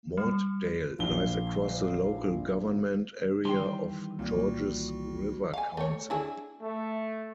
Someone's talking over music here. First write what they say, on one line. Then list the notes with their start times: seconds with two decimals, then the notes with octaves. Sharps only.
Mortdale lies across the local government area of Georges River Council.
0.17 G3
0.99 A#1 F5 G7
3.45 D#3 E3 G3 G5 C6
4.19 C2 A#2 F#4
5.54 F5 G#5
5.77 A3 C#5
6.10 D4 E4 G#4
6.61 A3